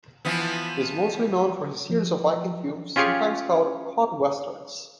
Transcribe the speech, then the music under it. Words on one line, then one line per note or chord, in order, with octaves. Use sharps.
He is mostly known for his series of Viking films, sometimes called "Cod Westerns".
E3 F3 B3
F3
C#4 F4 G4 G#4 C#5